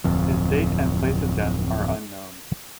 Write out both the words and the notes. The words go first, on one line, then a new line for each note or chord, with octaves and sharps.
His date and place of death are unknown.
D1 F2